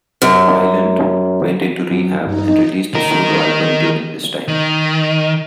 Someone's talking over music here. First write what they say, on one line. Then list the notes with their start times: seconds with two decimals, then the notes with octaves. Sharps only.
Weiland went into rehab and released a solo album during this time.
0.22 F#2
1.91 F#2
2.27 G2 D#4
2.94 D#3 A#4
4.48 D#3